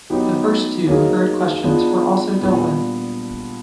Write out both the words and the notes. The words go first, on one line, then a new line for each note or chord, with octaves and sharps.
The first two referred questions were also dealt with.
F#3 B3 D#4 G4
F#3 A#3 D#4 G#4
F3 G#3 B3 D4
A#2 G3 B3 D4